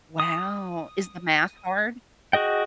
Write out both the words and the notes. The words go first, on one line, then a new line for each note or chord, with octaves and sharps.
Wow, is the math hard?
D#6
F#4 G#4 D#5 G5